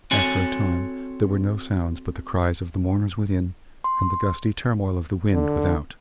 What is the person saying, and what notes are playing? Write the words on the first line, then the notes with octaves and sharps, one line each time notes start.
After a time there were no sounds but the cries of the mourners within and the gusty turmoil of the wind without.
C4 F#4 A4 C#5 G#5
C6
D3